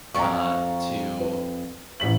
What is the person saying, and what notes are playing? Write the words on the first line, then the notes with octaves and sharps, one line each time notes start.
uh, to
F2 D5 A#5 C#6
B4
A1 B6 F#7